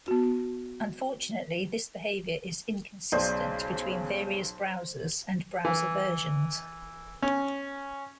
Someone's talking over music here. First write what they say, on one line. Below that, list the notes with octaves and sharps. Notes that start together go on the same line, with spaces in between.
Unfortunately, this behavior is inconsistent between various browsers and browser versions.
B3 F#4
B1 C#3 C5 D5 G5 D#6
E3
C#4